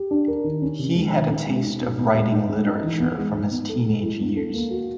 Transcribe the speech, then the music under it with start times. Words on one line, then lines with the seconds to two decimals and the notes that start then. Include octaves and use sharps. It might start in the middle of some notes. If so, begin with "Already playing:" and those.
He had a taste of writing literature from his teenage years.
Already playing: G4
0.11 D4
0.28 A#4
0.44 D#3
0.62 C#4
0.79 C3
0.95 G#3
1.13 D#3
1.30 C#4
1.47 G#3
1.64 D#4
1.81 B2
1.99 B3
2.15 G#3
2.32 D#4
2.49 G#3
2.67 D#4
2.83 E3
3.00 B3
3.18 G#3
3.34 D#4
3.52 B3
3.69 A4
3.86 G#3
4.02 E4
4.20 B3
4.36 A4
4.54 A#3
4.70 F#4